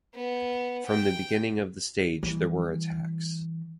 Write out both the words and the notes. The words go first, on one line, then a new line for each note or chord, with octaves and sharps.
From the beginning of the stage there were attacks.
B3
G5
E3 G3